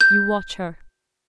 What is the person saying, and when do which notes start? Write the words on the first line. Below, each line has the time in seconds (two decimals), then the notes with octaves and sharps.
You watch her.
0.01 G6